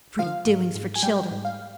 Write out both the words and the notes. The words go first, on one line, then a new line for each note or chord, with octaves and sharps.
Pretty doings for children.
F3 F5
G#2
G#2
G#5
G3 G5
G#2
F5